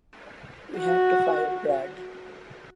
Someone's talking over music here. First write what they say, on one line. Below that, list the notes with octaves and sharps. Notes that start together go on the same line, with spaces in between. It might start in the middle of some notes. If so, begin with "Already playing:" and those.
We had to fire Brad.
F#4